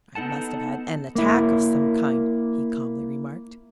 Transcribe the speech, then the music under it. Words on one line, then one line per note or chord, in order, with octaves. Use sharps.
"I must have had an attack of some kind," he calmly remarked.
B3 D#4 A4 F#5 A5
A#3 E4